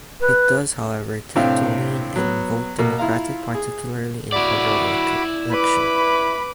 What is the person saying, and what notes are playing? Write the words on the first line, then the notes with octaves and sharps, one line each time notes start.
It does however, tend to lean and vote Democratic particularly in federal elections.
B4
A2 C3 C4 D4 F5
F#3 B3
B2 A#3
E4 F4 F5 A#5
G#4
E4 F#4 D5 B5 D6
B4 B5 D6